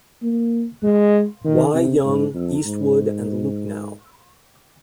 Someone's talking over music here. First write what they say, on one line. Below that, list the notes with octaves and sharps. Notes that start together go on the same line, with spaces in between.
Wy Yung, Eastwood and Lucknow.
A#3
G#3
D#3
C3
G#2
F2
G#2